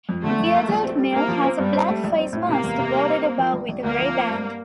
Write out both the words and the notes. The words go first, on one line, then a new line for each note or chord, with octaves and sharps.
The adult male has a black facemask, bordered above with a gray band.
F2
D3 A3
F2
A#3
A#1
C4
G3
A#3 C4
F3
C4
G2 G3
C4
A3
A#1
C4
A2
C3 A#3
E2
C3
G3
C4
C4
F3
A#1
A#1
D2 A#3
F3
C4
G2